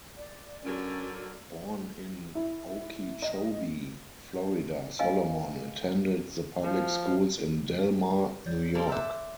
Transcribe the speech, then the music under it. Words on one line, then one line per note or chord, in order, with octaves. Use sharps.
Born in Okeechobee, Florida, Solomon attended the public schools in Delmar, New York.
D5
D3 F#3 C#4 A#4
E4
D#5
D#5 F5 G#5
F3
C#5 D5 G6
F3 G3 A#3 A4 C6
E5 D6 F#6 G6